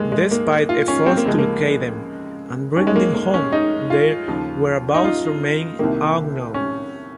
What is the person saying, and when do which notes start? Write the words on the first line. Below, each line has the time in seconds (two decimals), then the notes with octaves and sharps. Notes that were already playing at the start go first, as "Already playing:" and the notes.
Despite efforts to locate them and bring them home, their whereabouts remain unknown.
Already playing: D#2 D#3 G#3 A#3
0.12 G#3
0.31 A#3
0.69 F4
0.88 C#4
1.06 C4
1.17 A#3
1.25 C#2 C#3 F3 G#3
1.39 A#3
2.76 D#2 D#3 C#4
2.87 G#3
2.96 A#3
3.14 A#3
3.34 C#4
3.52 D#4
3.90 F4
4.28 D#2 C#3 F3
4.94 D#4
5.04 F4
5.79 C2 C3 D#3 A#3
6.54 C#4